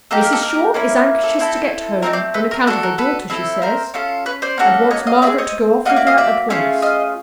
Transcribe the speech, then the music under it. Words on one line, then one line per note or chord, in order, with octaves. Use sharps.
Mrs. Shaw is anxious to get home--on account of her daughter, she says--and wants Margaret to go off with her at once.
A#3 D#4 G4 A4
A#4
A4
A#4
A#3 C#4 E4
A4
C4 E4 A4
A3 C4 D#4 A#4
C5 D5
A4 B4
A#4
D4 F#4 A4 A#4
A#4
A4 B4
C4 E4 A4
A#4 C5
C#4 F4 A4
B4 C#5
C5 D5
A#3 C#4 F#4 A4
C#5 D#5
D#5 F5
C4 F4 D5 E5
G#4
C#5 D#5
A#3 C#4 F#4 D#5 F5
D5 E5
D#5 F5
D5 E5
A3 C#4 F4 G#4
D#5 F5